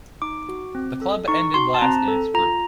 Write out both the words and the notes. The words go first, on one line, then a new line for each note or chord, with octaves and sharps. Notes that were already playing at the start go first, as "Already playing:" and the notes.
The club ended last in its group.
D#4 D6
F#4
C4
A4
D#4 C#6
F#4 C6
A5
C4 A#5
A4
F4 A#5